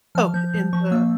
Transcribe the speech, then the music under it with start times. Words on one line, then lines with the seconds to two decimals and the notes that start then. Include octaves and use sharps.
Oh, in the
0.15 F3 F6
0.34 F3 G6
0.54 F3
0.73 F3 C#6
0.91 A#3 E6